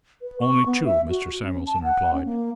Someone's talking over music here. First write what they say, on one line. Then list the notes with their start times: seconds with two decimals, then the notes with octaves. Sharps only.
"Only two," Mr. Samuelson replied.
0.22 B4
0.41 C#6
0.66 B3
0.86 E5
1.09 F#4
1.43 C#4
1.67 A5
1.84 F#5
2.14 C#4
2.25 A#3